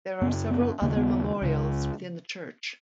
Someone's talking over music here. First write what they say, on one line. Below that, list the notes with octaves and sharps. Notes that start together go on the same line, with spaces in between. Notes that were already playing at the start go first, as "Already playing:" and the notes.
There are several other memorials within the church.
F#2 C#3 B3
B3
D#2 C#3 A#3
B3
C#2 C#3